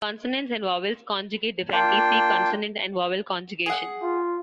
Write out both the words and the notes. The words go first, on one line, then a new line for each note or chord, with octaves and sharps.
Consonants and vowels conjugate differently, see consonant and vowel conjugation.
A#3 D4 F4 G5
G#4 F#5
F4